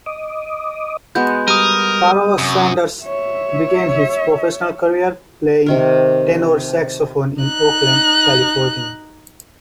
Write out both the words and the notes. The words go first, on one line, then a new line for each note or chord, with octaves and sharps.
Pharoah Sanders began his professional career playing tenor saxophone in Oakland, California.
D#5 D6 D#6
G#3 B3 F#4 G6
G3 A#4 D#6 D#7
F#2 C3
C#5 E5
C3 D#3 A#4
D#4 F#6